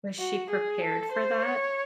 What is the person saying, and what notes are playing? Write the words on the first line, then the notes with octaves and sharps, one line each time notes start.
Was she prepared for that?
F#4
G#4
A4
C5
C#5